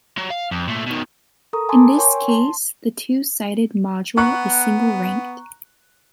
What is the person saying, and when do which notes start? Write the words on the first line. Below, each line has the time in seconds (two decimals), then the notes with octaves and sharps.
In this case, the two-sided module is single-ranked.
0.17 F#3
0.30 F5
0.51 F2
0.67 A#2 A3
0.86 B2 D#3
1.53 A4 A#4 A#5 C#6 D#6
1.69 G#5 A5 B5 C6 D6
1.97 A#4 C#5 G5 G#5 C6 C#6
2.28 A5 C6
4.17 B3 A#5 C#6 F#6